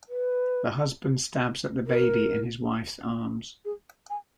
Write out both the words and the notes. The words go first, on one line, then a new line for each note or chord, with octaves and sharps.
The Husband stabs at the baby in his wife's arms.
B4
A#4
G#4
G#5